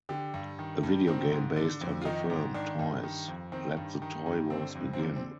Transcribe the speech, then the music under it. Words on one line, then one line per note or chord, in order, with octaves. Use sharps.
A video game based on the film, Toys: Let the Toy Wars Begin!
D3 G4
G2
D#3
G2
D#3 C4
G#2
D3
F2
F4
D#3 D#4
G#2
D#3 D4
G2
D#3
F2
D#3 C4
G2
D#3
G2
D3 C4
F2
C4
D3 A#3
C4